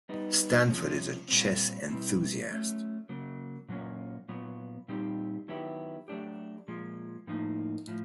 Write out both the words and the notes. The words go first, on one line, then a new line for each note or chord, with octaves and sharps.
Stanford is a chess enthusiast.
G3 B3 D#4
C3 F3 G#3 C#4
A#2 G3 C4
B2 G3 C4 E4
F#3 A3 C#4
C#3 F#3 A#3
A#2 F#3 A#3 C#4
A#2 F#3 B3
A#2 G3 C4 D#4 G4
D#3 F#3 B3 E4 G4
F#3 A3 D4 G4
A#2 F3 G#3
A2 F3 A#3 D#4
A2 F3